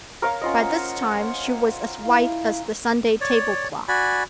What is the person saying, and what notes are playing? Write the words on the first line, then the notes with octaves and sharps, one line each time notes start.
By this time she was as white as the Sunday tablecloth.
A#4 C#5 F5
C#4 F4 C5 C#5 D#5 F#5
E4 F5
C#5 D5
F#4 D5 G#5 B5